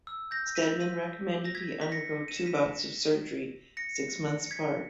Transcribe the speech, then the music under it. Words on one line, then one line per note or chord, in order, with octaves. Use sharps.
Steadman recommended he undergo two bouts of surgery six months apart.
E6
G6 A#6
B6 D#7
B6 D#7
A#6
G#6 B6
B6
A#6 C#7
D#7
E7
B6 D#7
A#6 C#7
C#7
G#6 B6